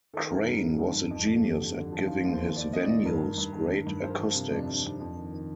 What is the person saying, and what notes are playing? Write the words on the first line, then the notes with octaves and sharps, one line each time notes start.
Crane was a genius at giving his venues great acoustics.
D#3 A4
D#3 A#4
G2 A4
D#3
G2
G2
F2
F2 A4
F2 G4
D3
D3
F3
D#4
D#3 F4
D#2
C5
D#3
D#3 D5
D#2 D#5
D5
D#3 D#5
G2 A#4
G2
G2
D#3
G2
G2
F3 C5
A#4
F3 C5
C3
F2 D4
F2 D4
C3 D#4
F2 D4
D#3
D#3